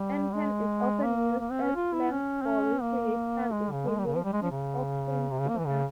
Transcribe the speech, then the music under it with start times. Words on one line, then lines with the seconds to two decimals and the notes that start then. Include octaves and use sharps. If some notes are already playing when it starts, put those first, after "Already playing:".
Anpan is often used as slang for recreational inhalation of paint thinner.
Already playing: G3
0.33 G#3
1.04 A#3
1.40 A#3
1.51 C4
1.63 C#4
1.75 F4
1.93 E4
2.11 C#4
2.42 C4
2.46 C#4
2.82 A#3
3.53 G#3
3.71 C#3
3.88 G#3
3.98 G3
4.06 C#3
4.16 F3
4.24 G3
4.33 G#3
4.43 F3
4.51 C#3
5.31 C3
5.40 C#3
5.49 A#3
5.58 E3
5.66 C#3